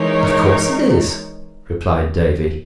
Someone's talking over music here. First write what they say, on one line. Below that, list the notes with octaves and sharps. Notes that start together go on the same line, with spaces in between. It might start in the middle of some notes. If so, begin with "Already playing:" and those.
"Of course it is," replied Davy.
Already playing: E3 G#3 D#4 A#4 C#5